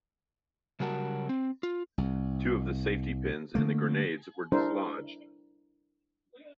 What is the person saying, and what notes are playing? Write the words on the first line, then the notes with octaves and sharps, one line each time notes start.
Two of the safety pins in the grenades were dislodged.
C#3 F#3 G3 F#4 A#4 A5
C4
F4
C2
D3 A3 A#3
G3 D4 E4 A4 A#4 C5